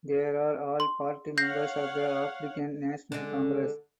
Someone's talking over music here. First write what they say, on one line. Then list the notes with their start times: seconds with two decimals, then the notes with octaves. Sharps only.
They are all party members of the African National Congress.
0.80 C6
1.38 C#5 F5 F#5 G6 A#6 C7
3.12 D3 G#3